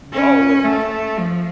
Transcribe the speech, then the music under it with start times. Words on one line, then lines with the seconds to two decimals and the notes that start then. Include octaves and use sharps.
W oh, way after. Yeah.
0.13 C#4
0.65 A3
1.18 F3